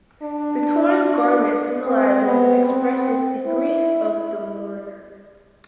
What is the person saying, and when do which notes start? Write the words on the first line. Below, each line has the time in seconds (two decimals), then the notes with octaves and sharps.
The torn garment symbolizes and expresses the grief of the mourner.
0.22 D4
1.85 C4
2.25 B3
2.65 C4
3.46 E4